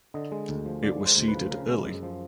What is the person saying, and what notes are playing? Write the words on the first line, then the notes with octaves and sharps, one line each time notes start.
It was seeded early.
D3 D#5
G#3
D2
F3
D3 D5
G#3
C5
D2
B4
F3
C#3 A#4
G#3
F#2
F3